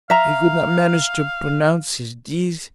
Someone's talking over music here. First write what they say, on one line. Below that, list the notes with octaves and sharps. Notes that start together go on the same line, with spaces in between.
He could not manage to pronounce his Ds.
E5 F5 A#5